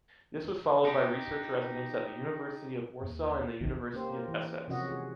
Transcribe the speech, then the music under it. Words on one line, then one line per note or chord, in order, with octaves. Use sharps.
This was followed by research residence at the University of Warsaw and the University of Essex.
D#4 G4
D#2
A#1 D#2 D3 D#3
A#3 C#4 G4 C5
A#4
E3
C3 F3 C#4 F#4 D#5 F#5
G#4